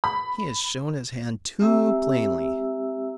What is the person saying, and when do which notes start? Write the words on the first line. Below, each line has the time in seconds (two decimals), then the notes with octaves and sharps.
He has shown his hand too plainly.
0.04 B5
1.60 G#3 C4 G4 E5 A#5 E6